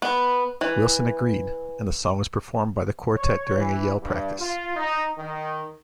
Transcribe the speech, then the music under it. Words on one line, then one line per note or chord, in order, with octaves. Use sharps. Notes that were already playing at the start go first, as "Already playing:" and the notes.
Wilson agreed, and the song was performed by the quartet during a yell practice.
B3
E3
C#5
E3
G2
F4
D#4
D#3